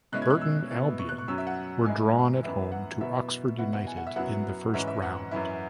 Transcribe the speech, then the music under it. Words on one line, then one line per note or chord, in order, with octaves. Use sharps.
Burton Albion were drawn at home to Oxford United in the first round.
B2 G#3 C#4 E4 F#6
G#6
F#6
E6
B2 B3 E4
C#6
F#6
C#6
F#2 F#3 C#4 E6
E5
F#5
G#2 G#3 E4 G#5
F#2 E3 B3 E4 E5
F#5
B2 F#3 B3 E4 E5
B2 B3 E4 F#5
F#5
G#5
F#5
E5
F#2 F#3 B3 E4 F#5
G#2 E3 C#4 E5
E5
F#5
F#2 E3 C#4 E4